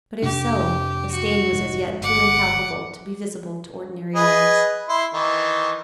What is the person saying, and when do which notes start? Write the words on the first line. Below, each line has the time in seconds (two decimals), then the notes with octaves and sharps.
But if so, the stain was as yet too impalpable to be visible to ordinary eyes.
0.22 F2 C3 D4 G4
1.11 F#4
1.51 F1 G#2
2.02 G1 F#5 D6
4.15 G#4 B4 D#5
4.89 E4 C6
5.14 D#3 E3